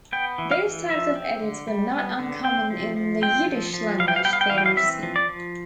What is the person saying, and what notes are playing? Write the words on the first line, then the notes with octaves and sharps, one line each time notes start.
These types of edits were not uncommon in the Yiddish-language theatre scene.
B3 G5
E3
F5
E3
F3 E5
C4
D3
G3
B3
D3
C4 G5
F3
F3
C4 G5
F3
F3
G3 F5
G5
F5
B3 G5
F5
G5
E3 F5
G5
F5
C4 E5
F3
D5
F3